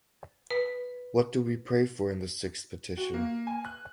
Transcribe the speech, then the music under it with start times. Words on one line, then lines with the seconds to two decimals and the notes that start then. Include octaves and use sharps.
What do we pray for in the sixth petition?
0.50 B4
2.97 F#4
3.14 A#3
3.47 G#5
3.65 F#6